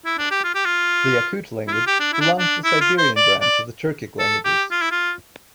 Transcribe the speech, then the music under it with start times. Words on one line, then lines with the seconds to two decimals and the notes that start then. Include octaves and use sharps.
The Yakut language belongs to the Siberian branch of the Turkic languages.
0.05 E4
0.18 D4
0.31 G4
0.44 F4
0.55 G4
0.65 F4
1.68 E4
1.73 F4
1.87 G4
2.00 D4
2.13 E4
2.21 D4
2.39 D4
2.64 E4
2.80 F4
2.98 C5
3.16 D5
3.41 D5
4.19 A4
4.45 G4
4.71 F4
4.82 E4
4.91 F4